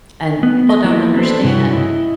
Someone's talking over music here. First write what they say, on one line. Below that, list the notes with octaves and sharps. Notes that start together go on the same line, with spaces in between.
And people don't understand
B3
D#5
F3 A#3 B3 E4 F#4
C4 D4 A4 B4 C5
G2 C3 E4 F#4 C#5
E4 D#5